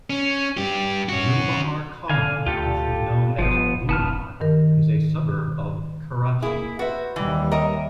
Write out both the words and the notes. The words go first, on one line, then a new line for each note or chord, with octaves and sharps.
Gulbahar Colony, which was known as Golimar, is a suburb of Karachi.
C#4
G2 G4
C#4 F#4
D3 F5 G#5
D2 F4 G4 A4
G1 F3 B3
F1 B3 A5 F6
G2 D#3 A#4
A#3 E4 G#4
F#4 B4 C5 E5
D#2 E3 G3
A#4 C#5 D#5 E5